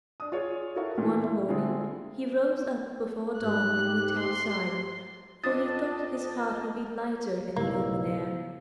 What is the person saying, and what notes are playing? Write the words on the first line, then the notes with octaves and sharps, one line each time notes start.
One morning he rose up before dawn and went outside, for he thought his heart would be lighter in the open air.
D4 D#6
F4 G#4 C#5 D5
E4 F#4 A4 A#4 C#5 F5
A#2 E3
E4
D3 G#3 C4 E4 F4 G#4
G#2 G4 F#6
C6
F2 D4 D#5 A5 D#6 A6
B1 G#2 C#3 A3 A#3 E4 F5 E6